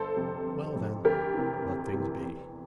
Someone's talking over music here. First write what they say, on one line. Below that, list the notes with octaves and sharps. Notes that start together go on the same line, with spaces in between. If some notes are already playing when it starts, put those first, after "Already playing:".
'Well, then, let things be.'
Already playing: G1 A4 C5
F2 C3
G1
F2 C3
D2 G4 A#4
C3 E3
D2
C3 E3
E2